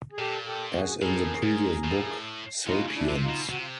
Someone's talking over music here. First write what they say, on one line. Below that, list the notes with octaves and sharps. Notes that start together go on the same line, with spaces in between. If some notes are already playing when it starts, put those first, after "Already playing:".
As in the previous book, “Sapiens.
G#4
A#2 G4 A4
G4 A4
F#4 G#4
A2 G#4 A#4
G#2
A2
B2 D#4 F4
C#3
D4 E4
C3
D#4 F4
B2
C3 F#4
F4